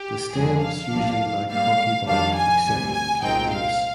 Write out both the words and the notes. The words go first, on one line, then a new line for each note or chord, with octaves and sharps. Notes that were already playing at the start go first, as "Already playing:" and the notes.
The stems usually lack corky bark except at the plant base.
Already playing: G4
F2 D3 G#3 D4 G#4
F5
C2 C3 F3 A#3 D4
G#2 G3 A#3 F5
F2 D#3 G3 D4 F5
G#5
D2 C3 G3
G#5
C2 A#2 G#3 C4 D#4 G5
F5